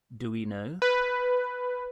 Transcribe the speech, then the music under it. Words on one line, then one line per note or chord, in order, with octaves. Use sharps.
Do We Know!?
B4